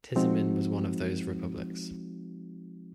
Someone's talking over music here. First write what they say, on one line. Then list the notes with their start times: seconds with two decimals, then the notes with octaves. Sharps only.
Tizimin was one of those republics.
0.16 F3 G#3 C4 D#4 F#4